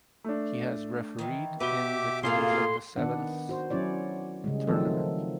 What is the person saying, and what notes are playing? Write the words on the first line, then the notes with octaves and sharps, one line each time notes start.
He has refereed in the Kings of the Sevens tournament.
A3 D4
D#3 E3
B2 G4 B4 E5 D6 G7
A2 A#3 F4 G#4 A4 F5 C6
D#3 B3 D4 F#5
F#4 C5
F#3 C#4 E4 C#5 D5
C#3 G3 G#3
D#3 F3 F#3 A3 C4 A4